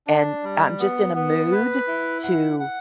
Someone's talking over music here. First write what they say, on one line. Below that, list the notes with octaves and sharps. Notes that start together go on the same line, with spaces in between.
and I'm just in a mood to
D4
G3
B3
B3
B4
E4
F#5
F#5